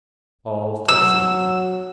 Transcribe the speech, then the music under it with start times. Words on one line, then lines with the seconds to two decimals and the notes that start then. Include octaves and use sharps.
All to see.
0.88 F#3 E6